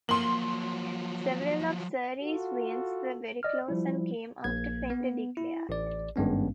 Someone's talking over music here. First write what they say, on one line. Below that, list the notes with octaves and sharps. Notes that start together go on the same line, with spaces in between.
Several of Surrey's wins were very close, and came after Fender declared.
F3 F#3 A#3 C6 F#7
F4 F#4 A4
D5 D#5 F6
F3 G3 E4
A#1 A#3 G#6
B3
E4
A1 D5
G#1 G2 G#3 B3 C#4